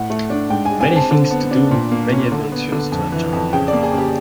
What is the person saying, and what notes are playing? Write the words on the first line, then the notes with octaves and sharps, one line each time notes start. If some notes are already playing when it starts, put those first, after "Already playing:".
Many things to do and many adventures to enjoy.
Already playing: A2 F#5
A3
D4
G#2 G5
G#5
G#3
G#5
C4
A5
D3
B3
D4
A#2
A#3
C#4
D3
B3
D3
F2
E3
F2
C#3 G5
D5
A#3
G#4
C#3 G4